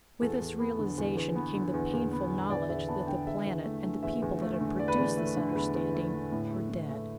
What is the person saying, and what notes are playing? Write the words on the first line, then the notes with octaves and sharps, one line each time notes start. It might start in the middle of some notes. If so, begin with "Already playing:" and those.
With this realization came the painful knowledge that the planet and the people that had produced this understanding were dead.
E2 A4
E2
B3
D3
E2
E2
B3
D3
E2
E2
B3
D3
E2 D5
E2 E5
B3 A5
D3 G5
E2 E5
E2
A3
D3
E2 E5
E2
A3
D3
E2 D5
B4
E2 D5
A3
D3
E2 B4
E2
A3
D3
A2
A3
A2
A3